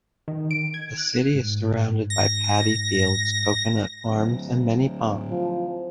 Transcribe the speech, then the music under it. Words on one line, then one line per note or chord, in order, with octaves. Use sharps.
The city is surrounded by paddy fields, coconut farms, and many ponds.
D#3
D7
G#6
F#6
G#2
A#6
D1
F3